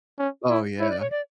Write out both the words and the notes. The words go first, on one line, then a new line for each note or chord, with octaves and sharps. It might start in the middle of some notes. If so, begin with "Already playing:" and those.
Oh, yeah.
C#4
E4
E4 C#5
D5
C#5
D5